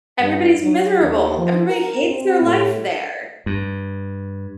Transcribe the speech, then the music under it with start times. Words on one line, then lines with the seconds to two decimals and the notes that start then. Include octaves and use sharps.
Everybody's miserable. Everybody hates their life there.
0.20 G2
0.62 F#3
1.02 D#2
1.38 F3
1.70 A#4
2.07 C4
2.42 A2
3.46 G2